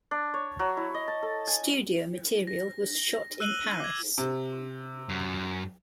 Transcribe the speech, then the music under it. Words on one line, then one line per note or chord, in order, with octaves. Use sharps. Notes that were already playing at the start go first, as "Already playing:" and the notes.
Studio material was shot in Paris.
D4
C#5
F#3
E4
D#5
A5
A4
G#5
A#6
E6 F#6 D#7 F#7 G7
D6 G#6
C3
F#2